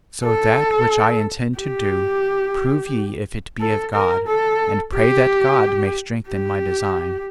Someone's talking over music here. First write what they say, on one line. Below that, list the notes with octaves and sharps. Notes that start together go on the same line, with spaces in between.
So that which I intend to do prove ye if it be of God, and pray that God may strengthen my design.
A4
G4
A4
A#4
A4
G4
G4